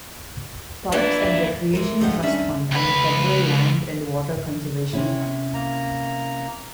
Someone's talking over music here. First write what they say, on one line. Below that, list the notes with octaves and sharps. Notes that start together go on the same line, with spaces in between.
Parks and Recreation Trust Fund and the federal Land and Water Conservation Fund.
A#2 E3 D4 E4 B4 D5
E3 G#3 A#4
G#2 D3 F3 G4 D#5 F#5
D3 D#3 G3 C#4 D5 E5
C#2 B4
C3 C#4 E4
A#3 A#5